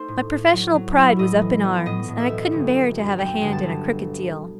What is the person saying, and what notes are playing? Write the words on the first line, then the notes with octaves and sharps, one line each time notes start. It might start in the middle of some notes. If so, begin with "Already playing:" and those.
My professional pride was up in arms, and I couldn't bear to have a hand in a crooked deal.
Already playing: A3 D#4 A4 C5
A2
A2
F#3
F#3
E4
A2 D#5
E3
B3
A2 D#5
A2
E5
B1
G1
G1
F#2
F#2 G5
G1
A5
G1